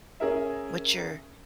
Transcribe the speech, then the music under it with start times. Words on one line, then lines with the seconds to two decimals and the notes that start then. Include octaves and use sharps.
What's your,
0.20 C#4 G#4 A#4 E5